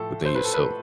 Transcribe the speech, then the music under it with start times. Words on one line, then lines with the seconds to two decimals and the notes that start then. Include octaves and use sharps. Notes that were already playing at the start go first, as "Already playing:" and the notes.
within yourself.
Already playing: A2 F3 A4
0.26 C5
0.35 B4
0.44 A4
0.54 B4